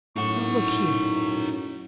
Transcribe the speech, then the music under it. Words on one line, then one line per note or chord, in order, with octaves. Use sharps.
Now, look here!
F#2 A2 D#4 F#5 C#6